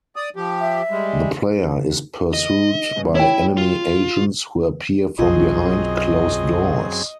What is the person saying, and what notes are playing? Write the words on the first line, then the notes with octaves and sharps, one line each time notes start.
The player is pursued by enemy agents who appear from behind closed doors.
D5 D#6
F3 G4
E5
G3 G#3
D#5
G2 C#3
E4 C#5 G5
F4
B1 F#2 C4 F4 G#4 D#5